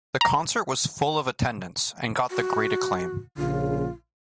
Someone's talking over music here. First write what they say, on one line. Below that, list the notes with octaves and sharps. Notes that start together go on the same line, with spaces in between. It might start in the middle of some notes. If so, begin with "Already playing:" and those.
The concert was full of attendance and got the great acclaim.
A#5
F#4
A#1 C#3 F4